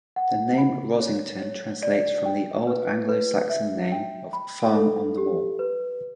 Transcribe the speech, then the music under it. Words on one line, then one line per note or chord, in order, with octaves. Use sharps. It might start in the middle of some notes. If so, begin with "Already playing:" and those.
The name Rossington translates from the old Anglo-Saxon name of 'Farm on the Moor'.
F#5
B5
C#5
C#5
D5
G5
B4
B4
E5
G5
B5
A4
G4
B4